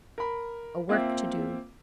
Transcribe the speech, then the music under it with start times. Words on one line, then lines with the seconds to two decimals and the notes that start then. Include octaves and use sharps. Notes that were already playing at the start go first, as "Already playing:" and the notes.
A work to do.
0.18 A#4 B5
0.89 A#3 C4 F4 E5